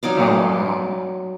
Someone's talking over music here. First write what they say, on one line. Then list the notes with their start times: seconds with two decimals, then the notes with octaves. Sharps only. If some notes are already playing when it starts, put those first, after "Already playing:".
Oh, wow.
0.03 F#3 D#4 D5 F5